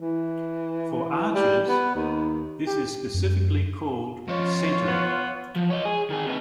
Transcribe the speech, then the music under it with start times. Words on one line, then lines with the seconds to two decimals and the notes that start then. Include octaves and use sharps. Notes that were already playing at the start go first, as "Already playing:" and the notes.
For arches, this is specifically called centering.
0.01 E3
1.35 G3
1.68 B3
1.95 D#2
2.67 G4
3.14 F#2
4.28 F3 F4 C#5 D#5
4.88 B3
5.56 F3
5.70 C#5 D#5
5.85 G#4
6.10 D#3 G#4
6.26 C3 B4